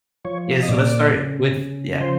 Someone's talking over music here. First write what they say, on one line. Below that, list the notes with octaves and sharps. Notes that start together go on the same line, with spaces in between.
Yeah, so let's start with yeah.
F3 C#5
D#5
A#2 D5
C#3
C#3
F3 C5